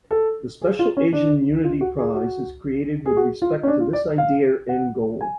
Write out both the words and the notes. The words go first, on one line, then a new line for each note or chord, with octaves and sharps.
The "Special Asian Unity Prize" is created with respect to this idea and goal.
A4
G#4
F4
C#4
D4
F4
F#4
G#4
F#4
G#4
F#4
F4
C#4
D4
F4
D5
F5
F#5
G#5